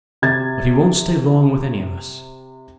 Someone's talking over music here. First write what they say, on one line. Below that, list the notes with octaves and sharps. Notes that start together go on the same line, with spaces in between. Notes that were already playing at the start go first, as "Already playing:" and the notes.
But he won't stay long with any of us.
C3 G#6 A6